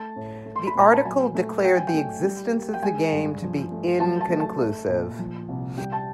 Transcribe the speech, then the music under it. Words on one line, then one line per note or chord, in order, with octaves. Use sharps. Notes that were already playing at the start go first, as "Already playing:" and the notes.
The article declared the existence of the game to be "inconclusive".
Already playing: A3 A5
A2
A3
C6
B5
A#2 A#5
A5
F#3 G#5
A3
F#3 G5
G#5
G5
A3
G3
A#3
G5
G#3 G#5
G2
F3
A3
F#3 A5
A5
A3
A5
A3
A#2
F3
C2
G3 G5
A5